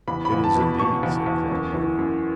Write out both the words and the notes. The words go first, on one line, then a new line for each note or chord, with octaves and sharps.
"It is, indeed!" said Clawbonny.
E2 B5
B5
E2
A5
B2
B5
B2 C#6
E2
E2
F#2
E3
F#2